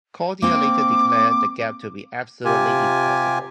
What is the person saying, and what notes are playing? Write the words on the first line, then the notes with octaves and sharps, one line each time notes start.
Cordier later declared the gap to be "absolutely impossible".
A#3 C4 G5 D6
C3 F4 G4 G#5